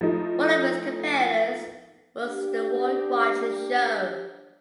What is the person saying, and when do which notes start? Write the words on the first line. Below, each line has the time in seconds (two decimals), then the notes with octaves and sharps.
One of its competitors was "The Roy Rogers Show".
0.01 F3 A3 D#4 E4
2.21 D4 G4